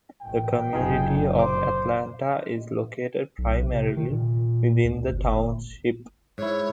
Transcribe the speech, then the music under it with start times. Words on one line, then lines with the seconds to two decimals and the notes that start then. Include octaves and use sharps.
The community of Atlanta is located primarily within the township.
0.21 A1 A2 G5
0.73 F#1 F#2 C3 D#4 F4 G#4
1.39 C5 D6
3.38 B1
3.73 C3
3.97 D#3
4.11 A#2
4.84 D2
5.12 G1
6.38 G#2 E4 C#5